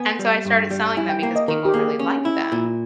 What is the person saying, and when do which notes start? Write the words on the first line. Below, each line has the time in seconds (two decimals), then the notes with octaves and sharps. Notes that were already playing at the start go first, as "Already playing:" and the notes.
and so I started selling them because people really liked them.
Already playing: B3 G#5
0.19 G3
0.45 G2
0.71 G3
0.97 E4 G#5
1.09 G5
1.22 A#3 G5
1.36 D#5
1.48 D#3 A#4
1.65 G4
1.74 A#3 G#4
1.99 C#4
2.25 E4
2.52 A#2